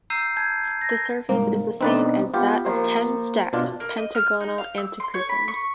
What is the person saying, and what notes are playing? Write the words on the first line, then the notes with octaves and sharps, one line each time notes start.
The surface is the same as that of ten stacked pentagonal antiprisms.
A#5 E6 G6 C7 D#7
A5 G6 G#6
A#6
C2 G#2 A#3
B2 C4 D4 D#4 B4 D5
B3 F4 G4
A#3 A#4 C5
B2 D4 F4
A#3
D#5
F6
D#4
F5
E6
C6
C#5
B5
C#6